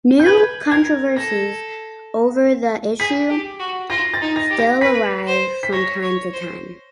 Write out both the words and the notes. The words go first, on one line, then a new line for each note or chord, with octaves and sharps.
New controversies over the issue still arise from time to time.
G6
B4 G#6
A#4 G#6
A4 A#6
G#4 B6
G4
F#4
F4 A#6
A6
D#4
A#6
G4
A#6
B4 B6
C5
B6
C#5 A#6
C#5
C5